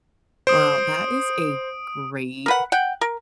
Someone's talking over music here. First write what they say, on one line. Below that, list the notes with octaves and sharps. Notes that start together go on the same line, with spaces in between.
Well, that is a great
C5 D#6 D7
A#4 B4 F#5
F#5 G5
A#4